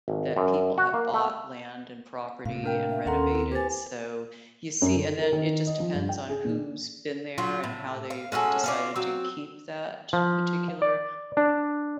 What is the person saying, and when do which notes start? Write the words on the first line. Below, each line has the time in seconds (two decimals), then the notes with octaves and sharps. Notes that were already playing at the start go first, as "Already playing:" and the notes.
that people have bought land and property and renovated, so you see and then it just depends on who's been there, and how they've decided to keep that particular
0.08 G#1
0.36 F#2
0.78 F#4
0.94 A#3
1.14 A3
2.46 A2 C3 F5
2.64 D4 A#4 G5
2.90 E5
3.06 D#2 C#4 A4 A#4 F#5 A#5 C6
3.31 C4 E4
3.52 G4 B4 C5 G#5 A6
4.82 F#2
4.95 D3
5.19 A#4
5.33 D#3
5.67 D#5
5.80 F3
5.94 G2
6.09 G5
6.29 G#4
6.45 A#2
7.38 F#3 F4
7.64 A2
8.10 F5
8.32 G#3 C#4 F#4 A4
8.64 C#4 F4 D5
8.96 F#3 C4
10.13 F3
10.82 D5
11.37 D4